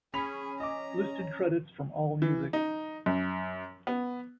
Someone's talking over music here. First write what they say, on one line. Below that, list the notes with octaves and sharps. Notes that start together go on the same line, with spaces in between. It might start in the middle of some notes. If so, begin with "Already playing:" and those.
Listed credits from AllMusic.
C#4 G#4 B5 B6 F7
D#5 A#5 D6
E3
D#4
F#2
B3